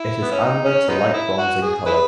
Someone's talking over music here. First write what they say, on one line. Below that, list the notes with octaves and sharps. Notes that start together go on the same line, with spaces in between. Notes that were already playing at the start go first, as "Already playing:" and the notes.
It is amber to light bronze in colour.
Already playing: E4
B3
C#4
D#4
C#4
G#3 B3 D#4
E4
F#4
G#4
E4 G#4 B4